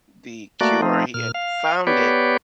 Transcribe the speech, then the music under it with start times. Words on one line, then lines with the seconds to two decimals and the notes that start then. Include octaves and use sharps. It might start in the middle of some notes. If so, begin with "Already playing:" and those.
the cure he had found it,
0.61 A3 A#3 F#4 D5
0.82 F3 A3 C4 D#4
1.14 A#2 F6
1.34 F5
1.87 B3 G4 B4 C#5 D5